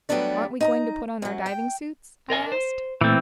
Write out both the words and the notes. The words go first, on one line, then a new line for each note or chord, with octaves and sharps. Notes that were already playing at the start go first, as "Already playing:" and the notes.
"Aren't we going to put on our diving suits?" I asked.
F#3 G3 A3 B3 D4 D5
D#4 A5 A#5
F#2 F#3
G5
A#4 D#5 G#5
C5
A#2 E3 A3 C4